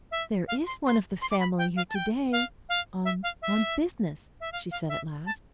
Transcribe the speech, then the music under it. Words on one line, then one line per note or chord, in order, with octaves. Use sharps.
"There is one of the family here to-day on--on business," she said, at last.
E5
F5
C6
C6
C6
D6
B5
G5
F5
A5
G5
F5
F5
E5
F5
E5
E5
F5
F5
E5
A5